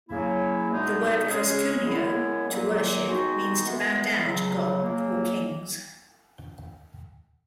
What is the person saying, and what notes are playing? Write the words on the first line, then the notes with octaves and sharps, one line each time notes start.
The word "proskuneo" "to worship" means to bow down to God or kings.
C#3 F#3 A#3 E4
E2 B2 G#3 B3 D#4
C#3 G#3 C#4 G#4
F#2 C#3 G#3 B3 E4
A#2 F#3 A#3
D#3 G#3 B3 D#4 F#4
E3 G#3 B3
C#2 C#3 F#3
C#3 F#3 A#3